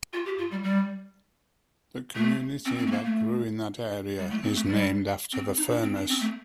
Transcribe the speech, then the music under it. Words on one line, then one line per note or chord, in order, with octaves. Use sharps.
The community that grew in that area is named after the furnace.
F4
G4
F4
G3
G3
A3
C4
C4
A3
A#3
A3
G3
A3
C4
A3
G3
C4
D#4
D4
C4
D4
C4
A3